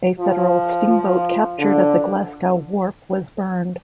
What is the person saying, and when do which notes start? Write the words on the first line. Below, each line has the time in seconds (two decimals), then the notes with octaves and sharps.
A Federal steamboat captured at the Glasgow wharf was burned.
0.19 F3
0.89 F3
1.58 D3